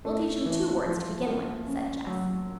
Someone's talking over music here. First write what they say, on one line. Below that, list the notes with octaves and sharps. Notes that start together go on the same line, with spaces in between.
"We'll teach him two words to begin with," said Jess.
A3
E3
F3
A#3
C#4
F#3